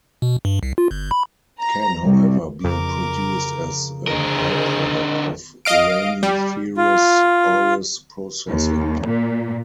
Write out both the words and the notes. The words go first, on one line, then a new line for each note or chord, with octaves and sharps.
It can however be produced as a by-product of uraniferous ores processing.
B2
G2
C2
F4
G1
B5
A#5
C2
F2 C#3 A#4 D6
D3 G#4 A#4 C5
D#5 F5 D7
G3
F4
D#2
A#2